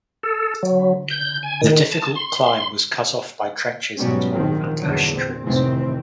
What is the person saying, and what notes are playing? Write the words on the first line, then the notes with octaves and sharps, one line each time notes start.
The difficult climb was cut off by trenches and olive and ash trees.
A4
F#3
G6
G#5
D#3
A5
C6
G#2 B2 F#3 G3 B3 C#4
A#1 D#3 F3 C4
A#1 E2 G2 D3 F#3
A#2 C4
F1 A2 D#3 E3 C4